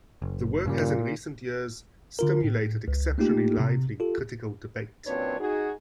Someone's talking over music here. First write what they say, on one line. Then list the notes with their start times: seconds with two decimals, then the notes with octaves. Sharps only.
The work has in recent years "stimulated exceptionally lively critical debate".
0.22 F#1
0.65 G2 A#2 C#3 G3
2.19 D3 F4 A#4
2.44 A2
2.88 C#2
3.18 A3 A#3 D#4 F4 G4
3.60 C3
4.00 F4 G4 A4
5.06 F#2 A#2 C4 D4 B4 C#5
5.40 D#4 F#4 G#4